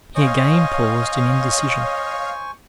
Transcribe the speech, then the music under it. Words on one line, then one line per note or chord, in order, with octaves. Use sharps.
He again paused in indecision.
C5 C#5 D#5 F5 G#5 C#6